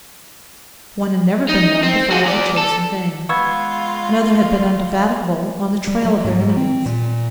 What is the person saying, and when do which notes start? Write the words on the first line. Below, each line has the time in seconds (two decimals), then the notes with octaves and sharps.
One had never been known to follow the chase in vain; another had been indefatigable on the trail of their enemies.
1.49 D#4
1.83 C4
2.11 F#4 G#4
2.23 E2 D5
2.57 A4
3.29 G#3 B3 F4 F5 C#6 E6 G#6
5.87 G3
6.05 F#3
6.24 G#2
6.57 C4
6.86 A#2